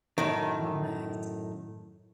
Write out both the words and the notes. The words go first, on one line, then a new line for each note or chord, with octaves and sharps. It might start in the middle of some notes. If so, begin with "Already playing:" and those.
Oh, nice.
F#2 A2 D#3